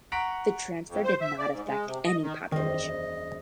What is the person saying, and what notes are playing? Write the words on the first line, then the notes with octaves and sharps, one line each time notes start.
The transfer did not affect any population.
F#5 A#5 C#6 B6 D7
F2
C5
E5
D5
G#2
G#3
C3
D#5
D#3
E1 F#2 D#3 G3 C5 D#5